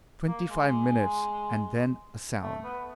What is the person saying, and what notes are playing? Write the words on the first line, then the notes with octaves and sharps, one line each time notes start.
Twenty-five minutes, and then a sound.
A#3
G#3
A3
B3